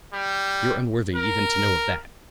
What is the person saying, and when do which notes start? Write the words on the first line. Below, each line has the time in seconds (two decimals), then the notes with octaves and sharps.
You're unworthy even to know of that.
0.14 G3
1.16 A#4